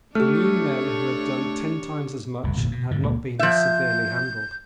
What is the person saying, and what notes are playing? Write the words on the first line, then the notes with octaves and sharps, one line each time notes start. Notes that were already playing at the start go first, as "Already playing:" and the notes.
He knew men who had done ten times as much and had not been as severely handled.
A3 D4 G4 C#5 F6
F#1 C2 F2 C3
G1 F2 A#2 D3
B2
G#2 D3
C#2 A#2 A#3
F3 E5 G6